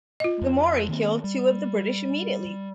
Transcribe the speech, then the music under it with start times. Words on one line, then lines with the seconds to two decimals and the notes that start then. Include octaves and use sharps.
The Maori killed two of the British immediately.
0.20 F4 D#5
0.42 F2
0.89 D#3 A#3 C4
1.24 G3